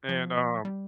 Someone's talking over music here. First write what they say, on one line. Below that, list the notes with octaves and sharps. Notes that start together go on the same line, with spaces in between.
and, um,
F3
G3